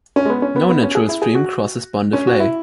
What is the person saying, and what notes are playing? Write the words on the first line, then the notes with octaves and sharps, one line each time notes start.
No natural stream crosses Bondoufle.
C#4
G#3
B3
C#4
B3
B3
C#4
G#4
E4
G#4
F#4
C#4
F#4
E4